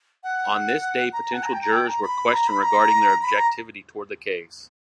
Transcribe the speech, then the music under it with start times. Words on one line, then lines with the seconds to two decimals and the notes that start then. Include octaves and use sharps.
On this day potential jurors were questioned regarding their objectivity towards the case.
0.24 F#5
1.13 A#5
1.23 A#5
1.33 F#5
1.43 A#5
1.53 G5
1.62 A#5
1.72 G5
1.87 A#5
2.03 B5
2.33 A#5
2.48 B5
2.62 A#5
3.22 B5
3.36 A#5